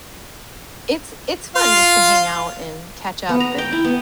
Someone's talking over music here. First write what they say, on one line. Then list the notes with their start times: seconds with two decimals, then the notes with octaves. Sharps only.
it's it's fun just to hang out and catch up and
1.55 F4 F5
3.29 B3
3.40 A#5
3.58 G5
3.73 E4
3.85 B3